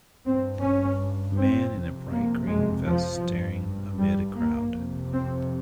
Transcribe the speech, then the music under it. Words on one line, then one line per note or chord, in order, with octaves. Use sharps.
Man in a bright green vest staring amid a crowd.
G2 C4
C#4
C4
F2 C3
A#3
G#3
F3
G2
G3
A#3
F2 C3
C4